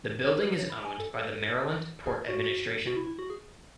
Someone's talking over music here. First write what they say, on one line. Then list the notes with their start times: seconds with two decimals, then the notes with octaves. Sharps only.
The building is owned by the Maryland Port Administration.
0.24 C#5
0.40 B4
0.55 C#5
0.70 B5
0.85 G#5
1.00 A4
1.15 A4
2.06 G#4
2.29 F#4
2.87 F#4
2.96 E4
3.07 E4
3.19 F#4
3.30 G#4